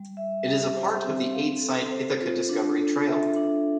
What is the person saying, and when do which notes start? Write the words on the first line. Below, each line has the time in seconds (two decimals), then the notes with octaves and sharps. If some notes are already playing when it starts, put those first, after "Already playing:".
It is a part of the eight-site Ithaca Discovery Trail.
Already playing: G3
0.17 E5
0.46 G4
0.75 C5
1.04 C4
1.33 F5
1.62 A4
1.91 C5
2.20 F4
2.49 D4
2.78 A4
3.07 E5
3.36 D4